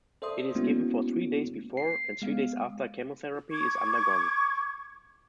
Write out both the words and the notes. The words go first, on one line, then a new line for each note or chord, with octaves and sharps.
It is given for three days before, and three days after chemotherapy is undergone.
A4 C5 D5 E5 C6 D#6
G#3 A#3 B3 C#4 E4 F#4
C7
G#3 B3 F5
C#6 D6 G#6